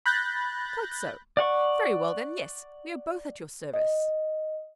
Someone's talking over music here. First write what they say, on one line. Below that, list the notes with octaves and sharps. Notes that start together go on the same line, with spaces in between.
Quite so!--very well, then; yes, we are both at your service.'
B5 F#6 G6 A6 A#6
D5 F#5 C#6
D#5